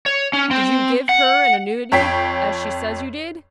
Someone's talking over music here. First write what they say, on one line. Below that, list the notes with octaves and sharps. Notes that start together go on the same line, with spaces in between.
"Did you give her an annuity, as she says you did?"
C#5
C#4
C4
F#5
F2 C#5 G5 B6 C7